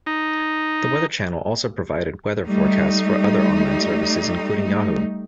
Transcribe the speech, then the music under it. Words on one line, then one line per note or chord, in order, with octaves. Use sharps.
The Weather Channel also provided weather forecasts for other online services including Yahoo!
D#4
G3 A3 D#4